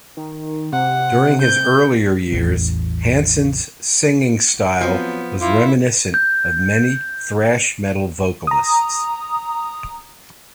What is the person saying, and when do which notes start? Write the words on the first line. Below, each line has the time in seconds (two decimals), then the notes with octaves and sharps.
During his earlier years Hansen's singing style was reminiscent of many thrash metal vocalists.
0.17 D#3
0.73 C3 F#5
1.42 G6
2.32 A1 E2
4.81 F3 F#3 B3 C4
5.41 E4 F4 D6
6.14 G6
8.47 A#5 D#6